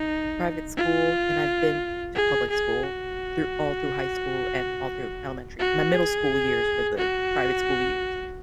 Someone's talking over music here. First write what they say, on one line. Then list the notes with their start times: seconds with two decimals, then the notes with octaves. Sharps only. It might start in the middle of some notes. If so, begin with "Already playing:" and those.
private school, and I've been to public school through all through high school and all through elementary. My middle school years were the private school years.
Already playing: D#4
0.76 F4
2.15 G#4
2.50 G#4
2.84 F#4
5.59 F#4
5.94 G#4
6.97 F#4